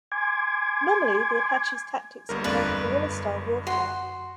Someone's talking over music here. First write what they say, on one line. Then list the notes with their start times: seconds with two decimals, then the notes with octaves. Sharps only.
Normally, the Apaches' tactics involved guerrilla-style warfare.
0.12 G#5 C6 D6 G#6
2.29 G1 G2 A#4
2.44 F#1 E2 A3 C4 D4 F4 B4
2.83 F#2
3.67 F#4 C6